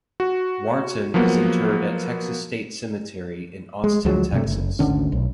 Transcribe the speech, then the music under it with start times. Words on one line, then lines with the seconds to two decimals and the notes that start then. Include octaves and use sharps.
Wharton is interred at Texas State Cemetery in Austin, Texas.
0.20 F#4
1.14 F3 F#3 A#3 B3
3.84 G#3
4.05 D2 F3 F#3 G#3
4.32 G2 C3 A3
4.47 F#1
4.79 G#1 D2 D3 C#4
5.12 B1